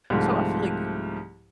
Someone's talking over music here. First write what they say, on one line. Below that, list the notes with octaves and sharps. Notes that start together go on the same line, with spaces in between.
so I feel like, you
C2 G#2 F3 A3